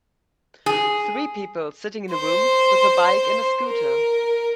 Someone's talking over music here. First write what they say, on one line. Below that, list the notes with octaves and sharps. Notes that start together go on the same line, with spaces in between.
Three people sitting in a room with a bike and a scooter.
G#4
C5
A#4